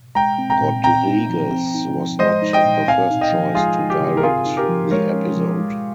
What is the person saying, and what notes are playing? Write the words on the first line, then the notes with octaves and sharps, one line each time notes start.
Rodriguez was not the first choice to direct the episode.
G#3 G5 A#5
C4
G5 A#5
A#2
C4 G5 A#5
D#4
F3
C4
D#4
F3
G#3 C5 D#5
D#4
D#5 G5
A#2
C4 F5 G#5
D#4
D#5 G5
F3
G#3 F4 G#4
D#4
G4
C#3
A#4
C4 F4 G#4
D#4
G4 A#4
F3
G#3 A#4 C#5
C#4
F3
G#3